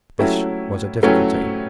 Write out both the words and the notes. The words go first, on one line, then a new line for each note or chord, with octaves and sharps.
This was a difficulty.
F#3 A3 C#4 E4 G4
F#3 A3 C#4 E4 G4